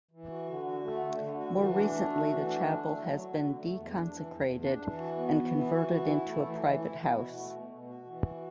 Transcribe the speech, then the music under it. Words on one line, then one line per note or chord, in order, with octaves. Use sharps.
More recently the chapel has been deconsecrated and converted into a private house.
E3
F#4
D3
F#4
A3
D3
D3
F#4
E3
D4
A3
F#4
E3
D4
D3
A3
F#3
F#4
D3
A3
E2
D4
E3
E2
E2
D4
E3
F#4
B3
E3
E3
F#4
E3
E4
A3
E3
E3
E4
B2
F#4
A3
B2
B2
F#4
E3
F#4